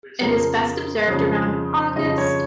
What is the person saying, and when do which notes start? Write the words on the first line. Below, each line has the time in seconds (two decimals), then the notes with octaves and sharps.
It is best observed around August.
0.21 F2 C#3 F3 A#4
1.08 F2 C#3 F3
1.96 F2 C#3 F3 D#5
2.18 C#5